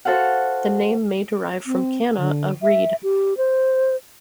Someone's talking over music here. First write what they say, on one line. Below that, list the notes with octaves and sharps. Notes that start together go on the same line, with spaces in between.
The name may derive from "canna," a reed.
F#4 A4 C5 F5 F#5
C4
D3
E5
G4
C5